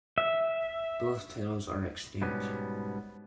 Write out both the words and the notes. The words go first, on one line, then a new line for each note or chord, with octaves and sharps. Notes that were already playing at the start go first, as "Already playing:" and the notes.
Both titles are extinct.
E5
G#2 B2 G3 B3 C#4